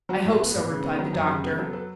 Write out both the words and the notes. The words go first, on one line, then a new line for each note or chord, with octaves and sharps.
"I hope so," replied the doctor.
F#3 F#4
A2
B3
A2
C#3
B3
F#3 G4
F#2
C#3 G4
B3
F#3 G4 A4
A4 B4